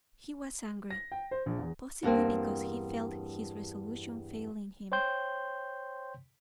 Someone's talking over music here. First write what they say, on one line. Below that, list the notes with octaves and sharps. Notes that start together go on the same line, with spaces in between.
He was angry; possibly because he felt his resolution failing him.
A#6
G5
C5
A#1
E2
E2 G2 A#3 C4
C5 C#5 G5 C6 G6